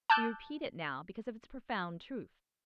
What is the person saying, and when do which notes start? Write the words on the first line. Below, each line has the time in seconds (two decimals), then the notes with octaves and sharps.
We repeat it now because of its profound truth.
0.10 A5 D6 E6 F#6 G6